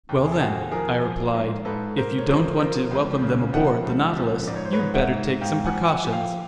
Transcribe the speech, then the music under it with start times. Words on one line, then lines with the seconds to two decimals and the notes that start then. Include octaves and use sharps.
"Well then," I replied, "if you don't want to welcome them aboard the Nautilus, you'd better take some precautions!"
0.09 D#2
0.24 G#4
0.32 A4
0.40 D#2 F#4 G#4
0.71 F3 G#4 A#4
1.02 F3
1.34 G#2
1.65 G#2 A4 B4
1.96 G#2 A#4 C5
2.18 C#5
2.28 F3 A#4 C5
2.59 F3 A#4 C5
2.91 C#2
3.22 C#3
3.53 F3 E5 F#5
3.84 C#2
4.16 F3
4.47 G#2 D5
4.56 C#5
4.65 C5
4.73 B4 C#5
4.79 G#2
4.94 E5 F#5
5.11 G#2
5.41 G#2 F5 G5
5.65 F#5 G#5
5.72 F3
5.84 G5
5.88 F#5 G#5
6.04 F3
6.12 F5 G5